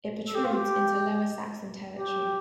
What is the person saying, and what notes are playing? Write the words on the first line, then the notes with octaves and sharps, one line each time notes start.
It protrudes into Lower Saxon territory.
A4
G4
F4
G4
G4